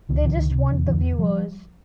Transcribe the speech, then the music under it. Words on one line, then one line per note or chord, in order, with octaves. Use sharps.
They just want the viewers.
C#2 D#3
D3 E3
C#2
D#3
C3
E2 D#3
D3 E3
E2
C#3
F3 G3